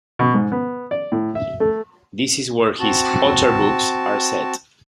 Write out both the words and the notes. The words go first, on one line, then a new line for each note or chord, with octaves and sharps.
This is where his "otter books" are set.
B2
G#2
B3
D5
A2
E5
A3
C4 F#4 A5